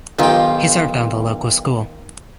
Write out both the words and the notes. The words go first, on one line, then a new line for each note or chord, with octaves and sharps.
He served on the local school.
B1 D#3 F4 G4